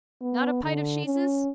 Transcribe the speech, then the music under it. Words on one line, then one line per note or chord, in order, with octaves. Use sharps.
Not a pite of sheeses?
B3
D3
C#4